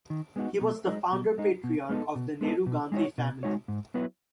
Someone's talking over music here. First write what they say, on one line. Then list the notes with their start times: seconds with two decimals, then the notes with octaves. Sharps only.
He was the founder patriarch of the Nehru-Gandhi family.
0.10 D#3
0.36 G#3 B3 D#4 F#4
0.61 B2
0.87 G#3 D#4
1.12 B2
1.38 G#3 D#4
1.64 B2
1.89 G#3 B3 D#4 A4
2.15 B2
2.41 G#3 B3 D#4 A4
2.66 B2
2.92 G#3 D#4 F#4 C#5
3.18 B2
3.43 G#3 D#4 F#4 C#5
3.68 G#2
3.94 F#3 B3 E4 B4